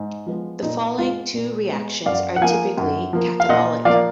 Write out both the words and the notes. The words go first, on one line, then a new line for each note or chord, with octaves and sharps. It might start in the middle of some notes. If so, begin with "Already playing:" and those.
The following two reactions are typically catabolic.
Already playing: G#2
F3 G#3 B3
A#2 D#4
G#3 B3 F4
A#2
G#3 B3
F#2 D5 F5
F#5
F3 A#3 F5 G#5
F#2
F3 A#3
F5
A#2 D#5 F#5
F3 A#3 D5 F5